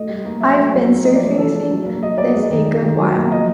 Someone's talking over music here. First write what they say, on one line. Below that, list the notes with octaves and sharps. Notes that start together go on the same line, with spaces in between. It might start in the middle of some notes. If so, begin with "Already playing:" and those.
I've been surfacing this a good while.
Already playing: A3 D#5
G3
A#3
F#3 E5
A3
F#3
A#3
F3 D#5
D5
A3 C#5
E3 A4
G#3
F#3
A#3
F#3 D#5
A#3 D5
G#3 D#5
D#3
G#3
D#3
F#3
A#3
F3 D#5